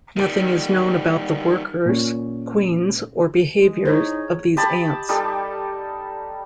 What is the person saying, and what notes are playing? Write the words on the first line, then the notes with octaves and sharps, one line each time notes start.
Nothing is known about the workers, queens, or behavior of these ants.
D#3 G3
A#2 C#4
G#3
D#4 E4 G#4 C5 C#5
G4 D#5 A5 B5
G3 D#4 G4 A4